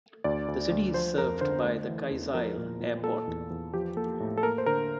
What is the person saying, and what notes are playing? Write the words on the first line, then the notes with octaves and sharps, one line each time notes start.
The city is served by the Kyzyl Airport.
D2 D5
D2
D2
F3 C5
F2 A#4
D3 C5
A3
E3
E2
F3 A#4
A#2
A#2
A#3 A4
E2
E2
F3 G4
A#3 A4
A2
A4
A#3 A#4
C5
D3 A#4